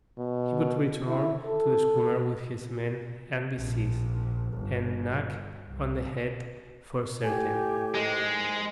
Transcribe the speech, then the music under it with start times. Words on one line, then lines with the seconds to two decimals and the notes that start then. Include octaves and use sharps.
He would return to the schooner with his men and be seized, and knocked on the head for certain.
0.18 B2
1.07 E4
1.46 A4
3.54 A#1
4.53 G1
5.66 C2
7.23 A2 G4 G#5
7.94 D#2 G#2 G#3